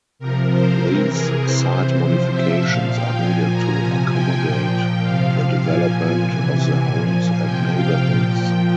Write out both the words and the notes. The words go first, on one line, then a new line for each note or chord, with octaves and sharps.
These site modifications are needed to accommodate the development of the homes and neighborhoods.
C3 F3 A#4
C5
C3 E3 A#4
G#4
C3 E3 C5
C3 F3
E5
A#2 F3 F5
G5
A#2 F3 G#5
A#5
C3 F3 G#5
G5
A#2 F3
G5
C3 F3 F5
A#2 F3 G#5
C3 E3
A#2 F3 G#5
C3 F3 G5
F5
A#2 F3 G5